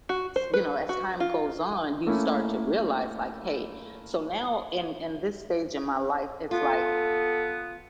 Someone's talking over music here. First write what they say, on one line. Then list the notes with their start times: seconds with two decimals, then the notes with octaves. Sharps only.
you know, as time goes on, you start to realize, like, "Hey," so now in in this stage in my life, it's like
0.09 F#4
0.36 C5
0.54 B4
0.89 F#4
1.20 F4
2.07 A3 A#3 C#4 E4
6.51 B3 F4 A4